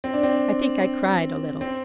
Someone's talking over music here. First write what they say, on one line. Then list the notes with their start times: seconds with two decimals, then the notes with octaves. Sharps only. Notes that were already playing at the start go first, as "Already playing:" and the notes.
I think I cried a little.
0.04 C4
0.13 D4
0.23 C4
1.61 C4